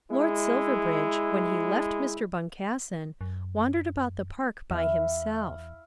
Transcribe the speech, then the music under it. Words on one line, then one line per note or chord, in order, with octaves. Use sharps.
Lord Silverbridge, when he left Mr. Boncassen, wandered about the park by himself.
G#3 E4
F#2
E2 E4 E5 F5